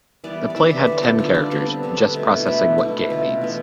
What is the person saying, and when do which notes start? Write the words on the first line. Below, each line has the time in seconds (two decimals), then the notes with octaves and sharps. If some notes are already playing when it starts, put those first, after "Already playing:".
The play had ten characters "just processing what gay means".
0.24 E3 G3 B3 D5
0.50 D5
0.56 E3 G3 B3 E5
0.71 D5
0.87 D3 G3 B3 C5
1.03 A4
1.19 D3 G3 B3 F4
1.35 D4
1.51 D3 G3 B3 C4
1.83 D3 G3 B3
2.15 B2 A3
2.39 E4
2.46 B2 A3 D4
2.78 B2 A3 E4
3.10 B2 A3 F4
3.41 E3 B3